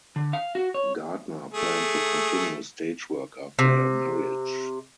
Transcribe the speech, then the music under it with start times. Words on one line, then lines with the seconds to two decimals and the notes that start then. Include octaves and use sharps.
Gardner planned to continue stage work after her marriage.
0.16 D3
0.33 F5
0.55 F#4
0.74 C#5
1.54 A3 G#4
3.59 C3